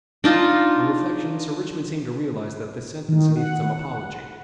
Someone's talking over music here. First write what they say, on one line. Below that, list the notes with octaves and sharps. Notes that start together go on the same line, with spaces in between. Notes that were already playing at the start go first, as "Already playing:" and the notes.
On reflection Sir Richmond seemed to realize that this sentence needed some apology.
D4 D#4 F4
D#3
F#5